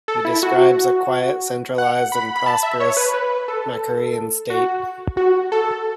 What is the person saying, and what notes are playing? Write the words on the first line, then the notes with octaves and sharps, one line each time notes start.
He describes a quite centralized and prosperous Makurian state.
A4
E4
F#4
F#5
B5
B5
A5
E5
C#5
B4
B4
A4
F#4
F#4
A4